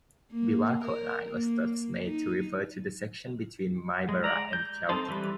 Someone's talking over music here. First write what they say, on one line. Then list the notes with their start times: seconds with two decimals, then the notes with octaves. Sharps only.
Biwako Line was thus made to refer to the section between Maibara and Kyoto.
0.32 A#3
0.84 A#4
1.30 A#3
2.06 D#4
4.09 G#3
4.24 D5 A#5
4.53 G6
4.89 C4 D#4 A4 C5
5.08 E3 G3 B4